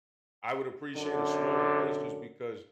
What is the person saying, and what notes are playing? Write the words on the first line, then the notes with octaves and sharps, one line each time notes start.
I would appreciate a smaller place just because
F#2 D3